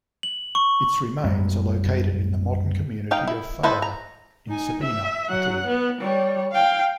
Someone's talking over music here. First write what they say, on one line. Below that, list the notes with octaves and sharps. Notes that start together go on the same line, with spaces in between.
Its remains are located in the modern community of Fara in Sabina, Italy.
F#7
C#6
B1 F#2 G3 G#3
D#4 F5 G5
E4
E4 A4 B4 C5 D#5
A#5
D#4 G#5
E5
F#3 F#5
B3
G3 C#5
F5 G5